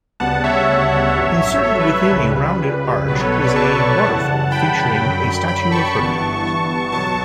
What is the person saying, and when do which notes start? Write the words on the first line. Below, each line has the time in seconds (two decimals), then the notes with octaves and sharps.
Inserted within a rounded-arch is a waterfall featuring a statue of Hercules.
0.20 D2 C#3 G3 B3 F#5 A5
0.44 C#5 E5
1.16 A1 G2 F#3
1.63 A4 C#5
1.80 B4
1.96 B4
2.12 C#2 C#3 G3
3.08 B1 B2 F#3 B3 B4
3.20 A4 C#5
3.32 A4 C#5
3.44 B4 D5
3.56 A5 C#6
4.04 F#2 C#3 E3 G3 F#5 A5
4.52 G5 B5
5.00 F#2 D3 F#3
5.48 G5 B5
5.72 A5 C#6
5.96 G1 G2 E3 B3
6.92 B1 B2 F#3 A5 C#6